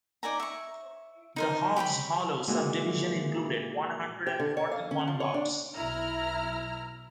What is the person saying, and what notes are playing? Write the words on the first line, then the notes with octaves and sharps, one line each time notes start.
The Hoggs Hollow subdivision included one hundred and forty-one lots.
D#4 D5 G#5 A#5
E5 C#6
D#4 A#4 C5
G4 C#5 G5 B5
A#2 E3 G#3 D#4 E4 F#4
G4
D3
C#5
F5
C#4
F3
C#5
D4
B1 E4 A#5 F6